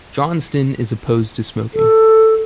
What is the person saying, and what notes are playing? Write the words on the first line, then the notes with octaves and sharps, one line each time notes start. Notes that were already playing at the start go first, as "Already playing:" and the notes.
Johnston is opposed to smoking.
A4